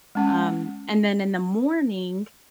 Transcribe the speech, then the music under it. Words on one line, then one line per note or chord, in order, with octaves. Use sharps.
um, and then in the morning,
G#3 C#4 F#5